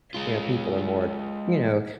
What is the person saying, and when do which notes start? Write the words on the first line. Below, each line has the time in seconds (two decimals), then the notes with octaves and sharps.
You know, people are more, you know?
0.14 G#3 F4